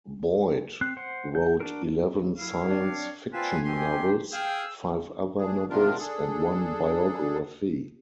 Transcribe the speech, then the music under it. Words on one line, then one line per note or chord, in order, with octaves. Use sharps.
Boyd wrote eleven science fiction novels, five other novels, and one biography.
C4 F#6
C5 F#5
G6
D4 F#4 A#4
E4 F5
C4 D4 C#5 D6
B3 C4 F4 B4 D5 G#5 A5 C6
D#3 C4 D4 G4 C6
G#4 F5 G5 E6
D4 G#4
C3 D#3 B3 D4 F4 A#4
D4 G#4 A4